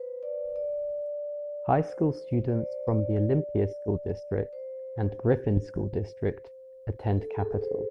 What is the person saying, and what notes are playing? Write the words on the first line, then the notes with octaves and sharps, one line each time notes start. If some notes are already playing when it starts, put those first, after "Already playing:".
High School students from the Olympia School District and Griffin School District attend Capital.
Already playing: B4 C5
D5
D5
C5
D5
C5
D5
C5
A4
G#4
A4
C5